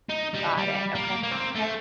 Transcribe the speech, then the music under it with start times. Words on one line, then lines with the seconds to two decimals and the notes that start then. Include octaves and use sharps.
Got it, okay. Okay.
0.10 D#4
0.35 G3
0.58 G3
0.95 A#3
1.23 A#3
1.31 C4
1.55 A3